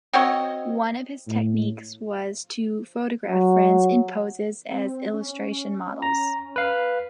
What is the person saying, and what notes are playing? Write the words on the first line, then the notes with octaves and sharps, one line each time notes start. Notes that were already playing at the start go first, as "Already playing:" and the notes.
One of his techniques was to photograph friends in poses as illustration models.
C4 F#4 C#5 D#5
A2
F#3
C4
C#4
A#5
B4 F5